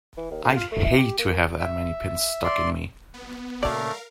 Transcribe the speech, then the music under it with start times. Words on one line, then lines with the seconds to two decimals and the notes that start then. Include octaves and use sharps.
I'd hate to have that many pins stuck in me!
0.17 E3
0.31 D#2
0.44 D2
0.56 F4
0.72 A3
0.84 E4
0.98 G4
1.19 A#3
1.60 E5
2.44 D5 C6
3.14 B3
3.63 A#2 C#3 F#3 A3 A#4 D5 F5